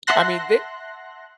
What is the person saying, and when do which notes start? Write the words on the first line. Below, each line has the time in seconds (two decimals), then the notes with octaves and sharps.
I mean, they
0.07 E5 F#5 A5 C6 F#6 A#6